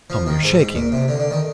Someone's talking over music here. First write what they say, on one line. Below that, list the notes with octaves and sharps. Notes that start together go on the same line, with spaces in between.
"Come, you're shaking."
F3
D#3
G#2
G#2
A#2
C3
D3
D3
D#3